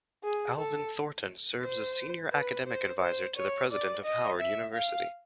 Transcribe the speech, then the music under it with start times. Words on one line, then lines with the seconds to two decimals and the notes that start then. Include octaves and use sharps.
Alvin Thornton serves as Senior Academic Advisor to the President of Howard University.
0.24 G#4
0.58 A4
1.62 C5
2.32 B4
2.67 C5
3.01 C5
3.36 C#5
3.71 D5
4.04 D#5
4.40 E5
4.74 F5